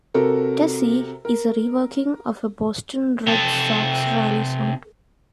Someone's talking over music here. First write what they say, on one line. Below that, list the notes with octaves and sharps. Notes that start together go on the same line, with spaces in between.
"Tessie" is a reworking of a Boston Red Sox rally song.
C3 F#4 A4 A#4
A#4
C3 A4